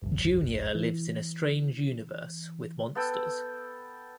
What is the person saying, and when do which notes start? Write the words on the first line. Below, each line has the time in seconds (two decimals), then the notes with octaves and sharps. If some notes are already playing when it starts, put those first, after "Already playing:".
Junior lives in a strange universe with monsters.
0.02 G1 C2 F2
0.75 E3
2.95 B3 A4 G5 E6